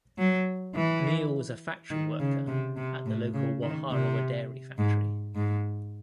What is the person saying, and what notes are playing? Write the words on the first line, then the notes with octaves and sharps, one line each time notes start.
Neil was a factory worker at the local Waharoa dairy factory.
F#3
E3
D#3
C#3
C3
C3
A2
C#3
D#3
C3
G#2
G#2